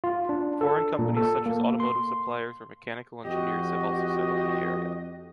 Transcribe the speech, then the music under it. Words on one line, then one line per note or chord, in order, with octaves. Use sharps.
Foreign companies such as automotive suppliers or mechanical engineers have also settled in the area.
F4
D4
A4
A#2
A4
A#3
C6
F2 F#4 G4 D#5